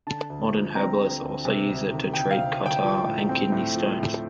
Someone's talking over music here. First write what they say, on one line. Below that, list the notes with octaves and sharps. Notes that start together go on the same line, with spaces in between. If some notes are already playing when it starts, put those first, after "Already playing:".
Modern herbalists also use it to treat catarrh and kidney stones.
D3 A5
D2
F3
C4 A#5
D3
D2
C3
D2
D#3
D2 G5
F5
C3
D2
G5
F3
A2
C4
A2
F3
A2